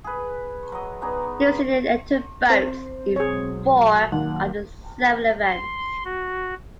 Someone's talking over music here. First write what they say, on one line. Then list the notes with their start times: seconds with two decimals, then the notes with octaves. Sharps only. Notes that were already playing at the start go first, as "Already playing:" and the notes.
New Zealand entered boats in four of the seven events.
0.04 G#4 B4
0.72 F#3 D#5
1.02 B3 D#4 G#4 D5
2.50 C4 C5
3.16 B1 F#3 G#3 G#4 C#5
4.12 D#2 F#3 A#3 F#5
5.45 C6
6.05 F#4